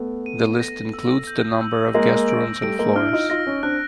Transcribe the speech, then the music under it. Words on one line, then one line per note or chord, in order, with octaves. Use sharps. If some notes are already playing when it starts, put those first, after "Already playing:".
The list includes the number of guest rooms and floors.
Already playing: A3 B3
D#7
A#6
E6
G6
E6
G#3 A#3 A#6
D7
G3 A3 D7
G#3 A#3
D4 E4 F6
D#4 F4
D#4 F4 A#6
C#4 D#4
C4 D4 F#6